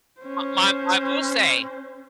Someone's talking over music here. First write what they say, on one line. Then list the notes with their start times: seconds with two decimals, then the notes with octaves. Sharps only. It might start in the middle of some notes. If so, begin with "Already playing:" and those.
M my I will say
0.21 C#4 C5